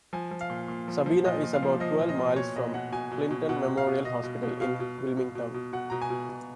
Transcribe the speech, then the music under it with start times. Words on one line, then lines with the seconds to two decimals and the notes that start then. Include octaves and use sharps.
Sabina is about twelve miles from Clinton Memorial Hospital in Wilmington.
0.13 F3 G#5
0.31 F3
0.41 F5
0.50 A#2
0.68 A#2
0.88 F3
1.06 F3
1.25 A#2 D#5
1.43 A#2
1.53 F5
1.63 F3
1.80 F3 D#5
2.00 A#2
2.09 D#5
2.19 A#2
2.36 B2 C#5
2.56 B2 D#5
2.74 B2 F#5
2.92 B2 G#5
3.11 B2
3.31 B2
3.49 B2 F#5
3.68 B2
3.77 F5
3.87 B2
4.05 B2 D#5
4.23 B2
4.43 B2
4.61 B2 F5
4.80 B2
4.98 B2
5.17 B2
5.35 B2
5.54 B2
5.73 B2 F#5
5.90 B2 A#5
6.02 G#5
6.10 B2
6.29 B2